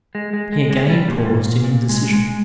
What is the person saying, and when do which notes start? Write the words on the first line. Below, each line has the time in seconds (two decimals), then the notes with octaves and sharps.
He again paused in indecision.
0.15 G#3
0.33 G#3
0.52 G#3
0.71 G#3
0.89 G3
1.08 A#2
1.18 A#2
1.26 G#2
1.45 A#2
1.64 A#2
1.89 G#3
2.13 G#3